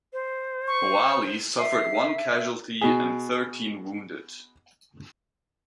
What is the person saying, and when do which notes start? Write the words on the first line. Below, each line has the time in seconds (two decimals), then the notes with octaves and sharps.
"Moale" suffered one casualty and thirteen wounded.
0.13 C5
0.67 C#6
1.59 E5 C7
2.81 B2 G#4